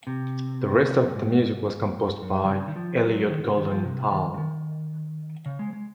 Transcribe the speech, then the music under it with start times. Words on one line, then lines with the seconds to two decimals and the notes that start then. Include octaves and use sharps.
The rest of the music was composed by Elliot Goldenthal.
0.07 C3
1.02 F#2
1.14 G#2
2.22 F#2
2.44 D#3
2.49 C#3
2.68 D#3
2.76 F3
3.03 F#3
3.30 D#3
3.44 C#3
3.57 D#3
3.71 F3
3.84 C3
4.11 D#3
4.34 F3
4.38 D#3
5.46 C#3
5.59 G#3
5.73 G#3